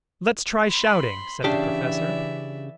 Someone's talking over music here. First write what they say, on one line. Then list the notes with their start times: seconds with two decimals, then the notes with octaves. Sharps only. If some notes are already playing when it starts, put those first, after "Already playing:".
"Lets try shouting," said the Professor.
0.66 B5 C6
1.44 C#3 E3 D4 G4 D5 E5